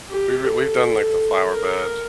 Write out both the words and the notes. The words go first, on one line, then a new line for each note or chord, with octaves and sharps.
we were we've done, like, the flower bed
G4
A4
A#4